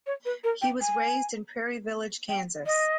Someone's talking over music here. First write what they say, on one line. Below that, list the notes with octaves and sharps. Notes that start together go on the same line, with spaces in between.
He was raised in Prairie Village, Kansas.
C#5
B4
A#4
G5
G#5
G5
D#5